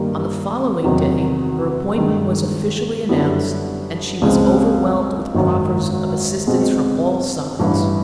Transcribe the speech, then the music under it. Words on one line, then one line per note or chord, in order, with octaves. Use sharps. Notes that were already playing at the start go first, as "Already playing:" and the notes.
On the following day her appointment was officially announced, and she was overwhelmed with proffers of assistance from all sides.
Already playing: G2 D#3 G3 A#3
E2 C3 D#3 F#3
G2 D#3 G#3
F#2 D3 G3 B3 E4
C#2 C#3 F3 G#3 C4
G#1 F#2 D#3 F#3
B2 G#3 C4
A1 G2 E3